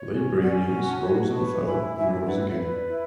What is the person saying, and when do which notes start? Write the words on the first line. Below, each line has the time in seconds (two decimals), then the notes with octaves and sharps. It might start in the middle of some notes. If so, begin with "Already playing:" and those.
Labour unions rose and fell and rose again.
Already playing: C#5
0.12 C#4
0.42 C#4 D5 F#5
0.72 F#4
0.78 G#5
0.88 F#5 A5
1.03 C#5
1.33 B4 A5 C#6
1.64 E4 G#5 B5
1.95 E4 E5 G#5
2.25 B4 D5 F#5
2.48 C#5 E5
2.56 B4
2.72 D5
2.87 E4